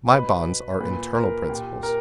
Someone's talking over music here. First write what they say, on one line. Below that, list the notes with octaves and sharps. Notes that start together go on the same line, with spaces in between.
My bonds are internal principles.
B2 B4
A#2 B4
A#4
A#2 G4
A#4